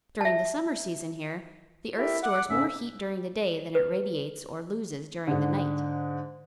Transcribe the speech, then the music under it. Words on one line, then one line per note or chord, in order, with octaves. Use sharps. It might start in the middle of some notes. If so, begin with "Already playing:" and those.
During the summer season here the earth stores more heat during the day than it radiates or loses during the night.
E5 A5
E4 G4 A4 A#4 E5
F#5 D6
F2 G#2 C#3 C#4 E5 E6
B4
G#2 D3